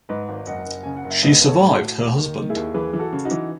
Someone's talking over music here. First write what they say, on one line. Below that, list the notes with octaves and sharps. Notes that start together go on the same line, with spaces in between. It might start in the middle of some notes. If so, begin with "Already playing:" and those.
She survived her husband.
G#2 B4 D#5
G#1
F#1 D#5 F#5
F#1
C#3 G#5
F#5
F#1
E5
A1 B4 D#5
A1 B4
A4 C#5
A2
F#4 A4
A2
D#2
D#3
D#3
E4 G#4
D#2
E3 G#4 B4
E3
F#4 A4
C#3
D#4 F#4
E3